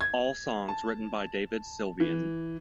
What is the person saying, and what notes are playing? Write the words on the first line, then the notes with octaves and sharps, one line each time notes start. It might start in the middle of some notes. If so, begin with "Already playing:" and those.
All songs written by David Sylvian.
G#6
A5
E3